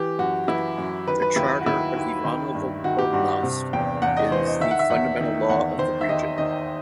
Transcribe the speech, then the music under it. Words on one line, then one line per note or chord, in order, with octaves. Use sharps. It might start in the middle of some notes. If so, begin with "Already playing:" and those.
The Charter of Ivanovo Oblast is the fundamental law of the region.
Already playing: E3 G4
F#2 F#4
E3 E4
F#2
D#3 B4
B4
D#2 E4
F#4
D#3 E4
D#2
D#3
G2
D#3 F#4
G4
G2 F#4
C3
E2 G5
E2 F#5
D#5
E3 C5
D#5
D#3 E5
F#5
E5
E2 F#5
D#3
E2 F#5
D#3 C5
E5
D#2 D#5
D#3 D#5